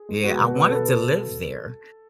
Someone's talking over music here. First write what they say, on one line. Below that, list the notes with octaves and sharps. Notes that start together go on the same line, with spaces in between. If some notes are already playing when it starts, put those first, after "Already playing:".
Yeah, I wanted to live there,
Already playing: G#4
G#3
B3 F#4
B2
B3
B2 A4
B3
B2